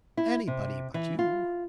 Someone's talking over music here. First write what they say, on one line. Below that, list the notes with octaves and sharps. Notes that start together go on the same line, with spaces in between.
Anybody but you.
E4
C3
E3
F4